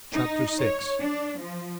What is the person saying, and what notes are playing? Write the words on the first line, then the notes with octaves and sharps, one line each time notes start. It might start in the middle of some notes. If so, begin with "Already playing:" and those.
Chapter VI.
D#4
C#5
D4
F3